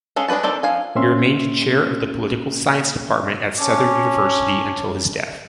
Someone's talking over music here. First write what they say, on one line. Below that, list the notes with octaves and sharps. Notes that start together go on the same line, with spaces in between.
He remained chair of the political science department at Southern University until his death.
G#3 C#4 A4 F5
G#3 C#4 D4 B4 A5
D#3 C4 A4 D5
F3 F5 G#5
A#2 A#3 C4 C#4 E5 C6
C#4 C#5 A5 D6